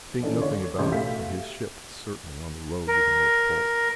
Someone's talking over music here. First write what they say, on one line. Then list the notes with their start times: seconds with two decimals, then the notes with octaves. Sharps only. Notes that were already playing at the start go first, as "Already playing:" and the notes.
"I think nothing about it, but his ship is certainly on the road to the North Pole."
0.23 E3 C#4 D4 A4 D5
0.40 D3 C#5 D5
0.79 A1 D2 C3 G4 C6 G6
0.91 B2 A3 G4 E5 F5 B6
2.88 A#4